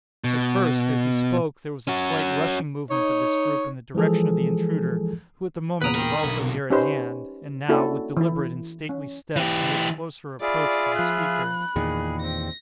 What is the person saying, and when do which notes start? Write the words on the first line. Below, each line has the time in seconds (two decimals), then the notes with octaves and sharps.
At first, as he spoke, there was a slight rushing movement of this group in the direction of the intruder, who at the moment was also near at hand, and now, with deliberate and stately step, made closer approach to the speaker.
0.24 B2
1.87 C#4 F#4
2.90 D#4 C#5
3.95 E3 F3 G#3 G#4 A4
5.82 E2 A#2 B4 A#5 B5 D#6 D7
5.95 A#4 B4 G5 A#5
6.24 B1 B2 D3
6.70 C#4 D#4 G4 B4 C5
7.68 A#3 C#4 D4 E4 F#4 A4
8.17 E3 E4
8.89 C#4
9.36 E3 G4
10.41 F4 G#4 D5 E5 B5
10.99 F3 B5 F#6
11.76 E2 A#2 D#3 G#4
12.22 C4 A#6